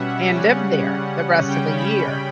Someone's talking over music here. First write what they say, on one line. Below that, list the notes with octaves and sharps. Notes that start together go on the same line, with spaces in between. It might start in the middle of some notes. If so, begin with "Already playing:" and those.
and live there the rest of the year.
Already playing: B2 G3 C#4 E5 F#5
C#3 G3 C#4
C#3 G3 C#4 G5
B5